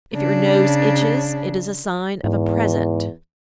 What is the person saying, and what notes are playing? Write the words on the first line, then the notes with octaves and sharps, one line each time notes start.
If your nose itches, it is a sign of a present.
C#3 D4
E2 G#2